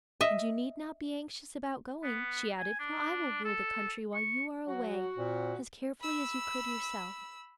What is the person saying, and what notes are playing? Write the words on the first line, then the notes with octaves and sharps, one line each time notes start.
'And you need not be anxious about going,' she added, 'for I will rule the country while you are away as carefully as you could yourself.'
D#5 E5
B3
G#5
D4
A4
C#6
F#3 F#4
A#2 C4
B5 E6